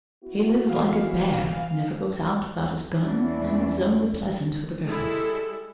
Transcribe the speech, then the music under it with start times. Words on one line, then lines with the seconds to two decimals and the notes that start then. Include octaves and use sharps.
He lives like a bear, never goes out without his gun, and is only pleasant with the girls.
0.24 B3 E4 F#4
0.69 E3 F5
2.98 E2 E3 C#4 D4 E4
4.86 G3 G#3 E4 A4